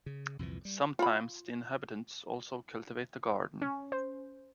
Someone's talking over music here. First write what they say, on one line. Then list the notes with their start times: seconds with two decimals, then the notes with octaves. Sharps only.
Sometimes the inhabitants also cultivate a garden.
0.06 C#3
0.39 C2 F2 A#2 E3
0.65 G3
0.99 F4 B5
3.62 C#4
3.92 C5